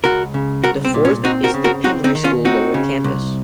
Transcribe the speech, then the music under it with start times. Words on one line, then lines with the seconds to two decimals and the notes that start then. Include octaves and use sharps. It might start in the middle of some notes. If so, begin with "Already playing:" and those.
The fourth is The Pingry School Lower Campus.
0.04 C#2 F#4 A#4
0.34 C#3
0.64 C2 F#4 A#4
0.85 C4
0.94 A#2
1.05 C#4
1.24 C4 D#4 F#4
1.44 F#4 A#4
1.54 C#3
1.64 F#4 A#4
1.84 C4 D#4 F#4
2.04 C4 D#4
2.15 D#3
2.24 C#4 F4
2.45 C4 D#4 F#4
2.74 C#3
3.04 C2